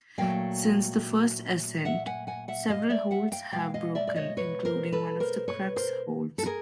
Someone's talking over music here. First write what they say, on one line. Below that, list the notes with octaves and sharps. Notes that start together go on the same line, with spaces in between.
Since the first ascent, several holds have broken including one of the crux holds.
A#2 F#3 A3 F5 G5
E5 F#5
F#5 G#5
F#5 G#5
E5 F#5
D#5 F5
D5 E5
E5 F#5
F5 G5
B2 G#3 F5 G5
D#5 F5
D5 E5
D5
C#5 D#5
B4 C#5
A#4 C5
A4 B4
A#4 C5
B4 C#5
A#4 C5
A4
G#4 A#4